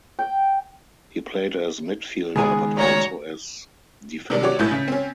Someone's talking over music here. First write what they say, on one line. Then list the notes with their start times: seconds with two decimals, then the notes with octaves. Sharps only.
He played as midfielder but also as defender.
0.19 G5
2.36 C#2 D#3 G#3 B3 G#4 G#5
2.77 D2 A#2 F#4 C#5 A#5
4.30 C3 D#3 G3 D4
4.43 F#4 G4 C#5 D5
4.59 A#1 A2 E4 B4 G6 A6
4.71 C#3 B6
4.88 C4 C#4